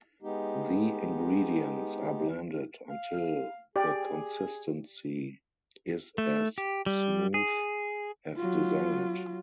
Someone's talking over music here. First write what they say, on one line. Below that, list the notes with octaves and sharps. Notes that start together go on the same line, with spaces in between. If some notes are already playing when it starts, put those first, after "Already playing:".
The ingredients are blended until the consistency is as smooth as desired.
G#3 B3 D#4 G4
F5
G4 G#4 D5
A3
G4
G3
G#4
F#3 F4